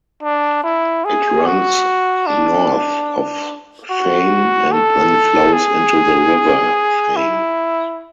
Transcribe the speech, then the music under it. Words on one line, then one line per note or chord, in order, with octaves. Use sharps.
It runs north of Thame and then flows into the River Thame.
D4
E4
G#4
F#4
D4
F#4
A4
G#4
E4